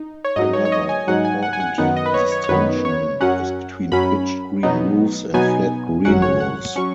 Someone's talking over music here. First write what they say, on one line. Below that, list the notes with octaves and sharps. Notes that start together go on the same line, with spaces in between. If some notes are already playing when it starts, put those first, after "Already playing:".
Another important distinction is between pitched green roofs and flat green roofs.
Already playing: D#4
C#5
G#2 F#3 D#4 D#5
C#5
C#5
D#5
G#5
G#2 F#3 D#4 F#5
G#5
F#5
G#5
F#5
F#2 D#3 B3 D#4 F#5
D#5
B4
C#5
C#5
C#5
F#2 D#3 B3 D#4 B4
C#5
F#2 F#3 C#4 F#5
F#2 F#3 C#4 B5
B2 F#3 B3 D#4
B2 F#3 B3 D#4 G#5
G#1 F#2 F#3 C#4 F#5
C#5
F#5
F#3 C#4 C#6